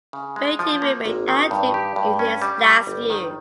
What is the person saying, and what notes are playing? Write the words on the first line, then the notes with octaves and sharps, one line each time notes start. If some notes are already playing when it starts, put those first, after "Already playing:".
Rietti remained active in his last years.
C#3
G#3
F3
A#3
G#1
D#3
G2
G4
G2
C#4
G3
G3
G1
D#3